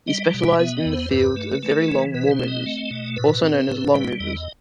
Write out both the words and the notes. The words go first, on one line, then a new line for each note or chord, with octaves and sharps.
He specialized in the field of very long moremovers, also known as longmovers.
G3 D#5
B2
E5
B3 E5
D#5
E2
C5
G2 B4
A3
A3
E3
B2 B4
C5
C4
D#5
A3
B2
A2 B4
C4
A2
G3
E2 D#5
D#5